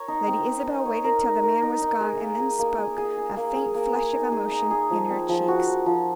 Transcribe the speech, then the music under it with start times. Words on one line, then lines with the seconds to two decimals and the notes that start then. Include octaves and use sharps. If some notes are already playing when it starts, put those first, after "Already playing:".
Lady Isabel waited till the man was gone, and then spoke, a faint flush of emotion in her cheeks.
Already playing: A#4 C#5
0.08 D#4
0.28 C4
0.47 C4
0.67 D#4
0.86 C#5
1.05 A#4
1.24 D#4
1.43 A#4
1.62 D#4
1.82 D#4
2.01 G#4
2.20 A#3
2.39 G#4
2.59 A#3
2.78 G#4
2.98 G#4
3.17 G#4
3.36 A#3
3.55 G#4
3.75 A#3
3.94 G#4
4.13 D#4
4.32 G#4
4.52 D#4
4.71 G#4
4.90 F3
5.10 C4
5.29 F3
5.48 F#4
5.67 F3
5.86 F3